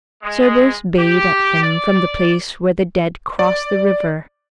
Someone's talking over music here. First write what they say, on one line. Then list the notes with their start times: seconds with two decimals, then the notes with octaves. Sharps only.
Cerberus bayed at him from the place where the dead cross the river.
0.22 G#3
0.97 G4
1.63 D5
3.39 D5